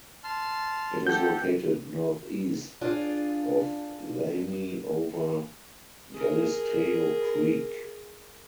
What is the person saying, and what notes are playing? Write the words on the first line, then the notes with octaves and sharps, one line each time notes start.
It is located northeast of Lamy over Galisteo Creek.
A5 C6 F6
G4 A4 F#5 G6
D4 F4 G#4
G#4 A#4